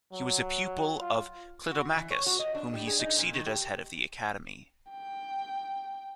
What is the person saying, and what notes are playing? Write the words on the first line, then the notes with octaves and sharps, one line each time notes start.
He was a pupil of Clitomachus, whom he succeeded as head of the Academy.
F#3
F4
F#4
E3
C#5
F#4
D#5
D4
G3
G#4
D#4
A#2
D#3
G4
G5